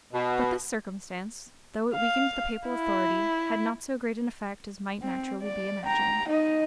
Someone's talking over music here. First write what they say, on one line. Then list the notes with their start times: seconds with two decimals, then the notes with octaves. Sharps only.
But this circumstance, though it weakened the papal authority, had not so great an effect as might naturally be imagined.
0.13 B2
1.94 F5
2.68 E4
5.03 C4
5.42 D5
5.85 G5 A#5
6.28 D#4 D#5